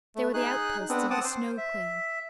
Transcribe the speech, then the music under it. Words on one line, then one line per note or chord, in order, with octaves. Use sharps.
They were the outposts of the Snow Queen.
A3
D#4 G#4 F#6
B3 C4 D4
C4 F#5 A5 D6 D#6
C5
E5